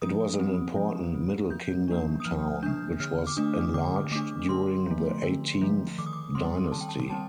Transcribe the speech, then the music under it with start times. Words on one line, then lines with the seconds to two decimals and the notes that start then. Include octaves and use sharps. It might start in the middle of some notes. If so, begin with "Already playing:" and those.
It was an important Middle Kingdom town, which was enlarged during the Eighteenth Dynasty.
0.02 F3 D#6
0.39 C4
0.76 F3
1.14 C4
1.50 F3 G6
1.88 A#3 D4
2.20 D#6
2.25 F3 F6
2.63 A#3 D4 G6
3.00 D3 F6
3.27 D6
3.37 A3 D4 D#6
3.74 D3 D6
4.12 A3 D4 D6
4.49 D3 C6
4.86 F3 A3
5.23 D3
5.61 F3 A3
5.98 D#3 D6
6.06 D#6
6.13 D6
6.35 G3 C4 C6
6.72 D#3 A5
6.81 G5
6.89 A5
7.10 G3 C4 A5